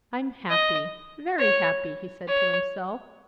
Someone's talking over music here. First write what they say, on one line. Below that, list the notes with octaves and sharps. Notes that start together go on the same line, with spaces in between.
"I'm happy, very happy!" he said to himself.
D#5
C#5
C#5